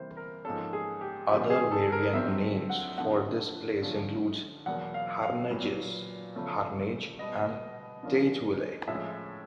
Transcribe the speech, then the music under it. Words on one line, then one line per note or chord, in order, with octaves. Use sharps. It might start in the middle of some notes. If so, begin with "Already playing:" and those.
Other variant names for this place include Harnages, Harnage, and Tateville.
Already playing: C3 E3 G3 A#3 C5
A#4
G#2 F3 A#3 C#4 A4
G#4
G4
C#3 F3 G#3 B3 G4
G#4
A4
A#4
F2 D3 F#3 A3 C4 E5
F#5
F2 D3 F3 A3 F#5
D3 F3 A3 C#4
E2 B2 F#3 A#3 F#5
F5
F5
A#2 F#3 B3
C#3 F3 A3 C#4
B2 G3 B3 D#5
D3 F3 A#3 C#4
A2 F3 G#3 C#4 E5